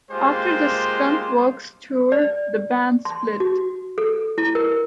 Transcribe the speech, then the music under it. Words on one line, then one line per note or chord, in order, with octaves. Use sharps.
After the Skunkworks tour, the band split.
G#3 A#3 F4 G4 C5
D5
C6
F#4
A4
E4
A#4